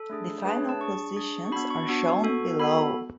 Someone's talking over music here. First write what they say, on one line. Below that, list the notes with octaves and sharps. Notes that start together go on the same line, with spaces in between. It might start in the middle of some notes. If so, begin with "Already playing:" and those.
The final positions are shown below.
Already playing: A4
A3 D4 G#4
A3 D4 G#4 B4
C#5
A5
D4 G#4 C#6
D4 G#4
C#6
B3 D4 F#4 B5
C#6
B3 D4 F#4
B3 F#4 A4
B3 F#4 A4 B5